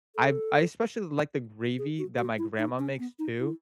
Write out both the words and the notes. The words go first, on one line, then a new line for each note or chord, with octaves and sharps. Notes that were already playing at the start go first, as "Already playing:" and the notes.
I've I especially like the gravy that my grandma makes too.
A4
G#4
F#4
F#4
E4
D#4
C#4
B3
D#4
E4